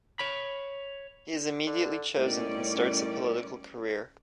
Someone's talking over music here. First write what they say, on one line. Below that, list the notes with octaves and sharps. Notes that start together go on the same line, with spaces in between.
He is immediately chosen and starts a political career.
C#5 B5
D3
A2 D#3 G3 C#4 D5